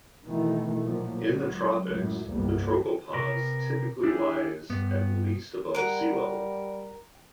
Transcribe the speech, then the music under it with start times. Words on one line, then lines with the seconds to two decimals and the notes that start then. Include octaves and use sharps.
In the tropics, the tropopause typically lies at least above sea level.
0.24 B2 D#3 E3 A3
0.83 A#2 F3 F#3 A#3
1.28 C#2 F#3
1.87 C#2 F#2 A2 F#3
2.28 G1 C2 F2 G3 A#3 B3
3.13 C3 A#4 B4
4.04 D4 E4 G4 G#4
4.70 G2 B3
5.75 G3 A#4 F#5